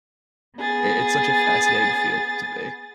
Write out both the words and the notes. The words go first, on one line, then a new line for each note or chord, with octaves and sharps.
I it's such a fascinating field to me.
B3 G#4 A6